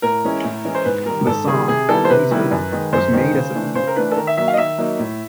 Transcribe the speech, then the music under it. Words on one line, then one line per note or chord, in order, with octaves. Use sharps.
The song, "Eraser" was made as a video.
A2 A#4
E3 G#3 C#4 E4
A2
E3 G#3 C#4 E4
C5
G#2 B4
D#3 G3 A#4
G#2 A4
D#3 G3 G#4
C3 G#4
D#3 G3 B3 E4 A4
C5
C3 B4
D#3 G3 B3 E4
F#2
D#3 G#3
F#2 C5
D#3 G#3
C#3
E3 A3 D4
C#3 C5
A#4
E3 A3 D4 B4
A4
D#3 A#4
E5
F#3 A#3 D#4 E5
F5
D#5
D#3 E5
F#3 A#3 D#4
A2